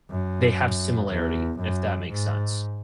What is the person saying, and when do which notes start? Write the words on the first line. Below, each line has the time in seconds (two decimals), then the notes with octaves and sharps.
they have similarity, if that makes sense.
0.10 F#2
1.10 E2
1.61 F#2
2.10 G#2